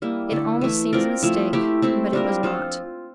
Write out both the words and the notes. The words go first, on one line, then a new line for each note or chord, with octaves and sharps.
It almost seems a mistake, but it was not.
G3 A#3 E4
D3 A3 E4 A4
E3 A3 E4
C4 F4 A#4 D5
F3 A3 E4
A3 E4 G4
A3 C4 E4
G3 D4 F4 A#4
F3 C4 F4 A4